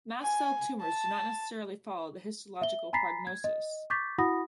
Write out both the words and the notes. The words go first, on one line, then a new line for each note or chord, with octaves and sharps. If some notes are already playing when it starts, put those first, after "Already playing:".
Mast cell tumors do not necessarily follow the histological prognosis.
G#5
A5
E5 G7
G#5 A#5 B5 A6 B6 C7
G#6
D#5
C#6 D6 G6 A6 B6
E4 F#4 F#5 B5 D#6 A#6